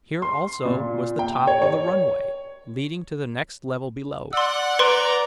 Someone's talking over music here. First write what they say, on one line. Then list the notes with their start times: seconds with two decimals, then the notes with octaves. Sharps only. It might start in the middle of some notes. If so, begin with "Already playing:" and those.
Here also was the top of the runway leading to the next level below.
0.22 C6
0.65 A#2
1.19 G5
1.47 C#5
1.62 C#5
4.33 D5 F#5 C6 E6
4.79 B4 D5 A#5 C6 D7